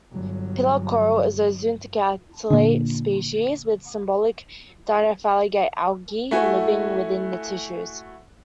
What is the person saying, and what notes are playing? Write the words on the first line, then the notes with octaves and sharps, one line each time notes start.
Pillar coral is a zooxanthellate species, with symbiotic dinoflagellate algae living within the tissues.
G1 F#3
A#2 D3
A3 E4 F#4 G#5